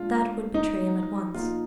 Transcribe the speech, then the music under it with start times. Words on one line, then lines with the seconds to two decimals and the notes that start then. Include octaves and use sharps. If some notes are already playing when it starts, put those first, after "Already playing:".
That would betray him at once.
Already playing: A#2 G#3 D4 F4
0.54 D#4
1.34 A#2 F3 A#3 D#4 F4